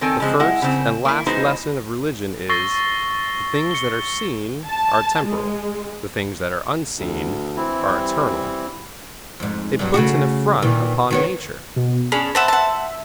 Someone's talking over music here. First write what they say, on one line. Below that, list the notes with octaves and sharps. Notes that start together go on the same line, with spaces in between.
The first and last lesson of religion is, "The things that are seen, are temporal; the things that are unseen, are eternal." It puts an affront upon nature.
D#3 C4 A4 G5 G#5
C#3 F3 G#3 C4
G#3 E4 F#5
C#3 C4
A#3 E4
E3 G#3 B3 D#4 F#4 C5
C#6 E6 A6 A#6 C7 G7
C#7 G7
A5
G#3
D2
E3 C4 E4
G3
F2 G#2
G2 F#3
C#3 A3 F#4
A#2 D#3 E3
D#3 B3 C#4
B2
C#4 D4 G#4 C#5 B5
C5 E5 F#5 A5 B5
E5 F#5 A5